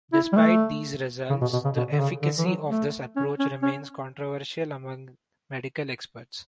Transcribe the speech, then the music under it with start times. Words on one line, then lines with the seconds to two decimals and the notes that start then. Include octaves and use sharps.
Despite these results, the efficacy of this approach remains controversial among medical experts.
0.13 E4
0.33 G3
0.36 A3
1.30 C#3
1.41 B2
1.53 B2
1.65 C#3
1.76 B2
1.92 D3
2.00 C#3
2.22 D3
2.38 E3
2.46 F#3
2.70 A3
3.16 C#4
3.39 C#4
3.62 C#4